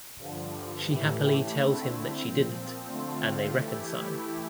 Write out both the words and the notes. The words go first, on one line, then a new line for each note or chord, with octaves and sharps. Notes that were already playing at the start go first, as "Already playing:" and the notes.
She happily tells him that she didn't and they reconcile.
G2 D3 F3
A2 E3 A3 E4 G4
D3 A3 C4 E4
A#2 F3 C4
D3 A3 C4 F4
E3 A3 E4 G4